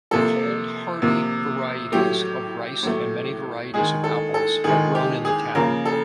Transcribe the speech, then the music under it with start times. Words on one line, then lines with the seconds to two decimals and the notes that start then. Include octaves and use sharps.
Cold-hardy varieties of rice and many varieties of apples are grown in the town.
0.11 C3 F3 A#3 A4
1.02 C3 F3 A#3
1.92 A2 F#3 A3 G4
2.83 A2 F#3 A3
3.74 D#3 G#3 G#4
4.04 A4
4.34 A4
4.64 D#3 G#4
4.69 G#3
4.95 G4
5.25 G#4
5.55 C#3 F3 A#3 A#4
5.85 A4